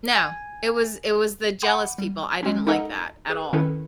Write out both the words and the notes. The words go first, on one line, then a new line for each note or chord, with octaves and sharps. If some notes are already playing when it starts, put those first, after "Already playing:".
No, it was it was the jealous people I didn't like that at all.
G#5
F#5 B5 D6 G6 D#7
G3
G#3 C4 C#4
D#4 A4 A#4 D#5 F#5 A#5
G#4 B4
D#3 C#4 E4 A4 B4